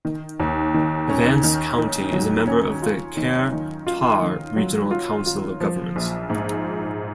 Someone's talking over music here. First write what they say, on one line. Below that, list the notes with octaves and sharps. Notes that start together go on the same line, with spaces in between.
Vance County is a member of the Kerr-Tar Regional Council of Governments.
D#3
D#2
D#3
C#4
D#3
D#3
F#3
C#4
F4
D#3
D#3
F4
D#3
F#3
F4
F4
F3
A#1
G#2